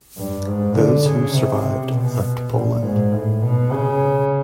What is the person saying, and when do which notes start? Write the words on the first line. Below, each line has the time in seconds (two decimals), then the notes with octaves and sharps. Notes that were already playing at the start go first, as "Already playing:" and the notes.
Those who survived left Poland.
0.17 G2
0.47 G#2
0.77 D3
1.06 C#3
1.35 C3
1.94 B2
2.54 A#2
2.83 G#2
3.12 A2
3.42 B2
3.72 C#3